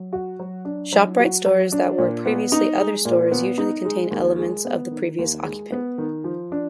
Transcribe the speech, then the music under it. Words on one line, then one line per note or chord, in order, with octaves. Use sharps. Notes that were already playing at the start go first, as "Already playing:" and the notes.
ShopRite stores that were previously other stores usually contain elements of the previous occupant.
Already playing: F#3
F#4
F#3
D4
F#3
F#4
F#3
D4
A#2
B3
D#4
G#3
A#2
B3
D#4
G#3
D#2
G#3
B3
D#3
D#2
G#3
B3
D#3
F3
D4